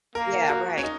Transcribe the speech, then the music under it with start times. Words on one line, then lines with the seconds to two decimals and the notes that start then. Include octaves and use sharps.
Yeah, right.
0.15 A#3 A#4
0.49 F#4
0.78 C#4
0.83 D#4